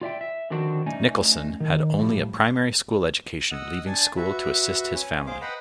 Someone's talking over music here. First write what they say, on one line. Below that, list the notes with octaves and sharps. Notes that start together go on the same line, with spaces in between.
Nicholson had only a primary school education leaving school to assist his family.
F4 D5 E5 G5
E5
D3 D#3 F3 C4 D4 F#4
A3 C#4 D#4 D5 G#5
D#3
A2 F3 G3
D#5 F#5 E6
D4 G#5 A5
F#4 B4 E5
C#4
G#4 C5 F5 D6
B4 D#5 F#5 G5 A#5 B5